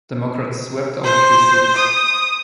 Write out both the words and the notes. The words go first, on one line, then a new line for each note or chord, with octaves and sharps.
Democrats swept all three seats.
C5
D#6